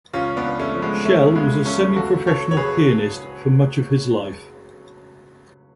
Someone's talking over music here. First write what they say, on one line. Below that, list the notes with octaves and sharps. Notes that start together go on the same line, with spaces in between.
Schell was a semi-professional pianist for much of his life.
C#2 C#4 F4
B3 D4
C#2
A3 C#4
F3
G#3 B3
C#3 A3 C#4
C#2 G#3 B3
C#2 A3 C#4
C#2 F#4 A4
C#2 A4 C#5
C#5
F#3 G#4 B4